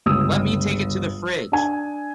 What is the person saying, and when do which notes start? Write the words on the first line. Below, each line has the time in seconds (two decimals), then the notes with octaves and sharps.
Let me take it to the fridge!
0.06 G1 C#2 D#6 E6
1.52 D4 G#5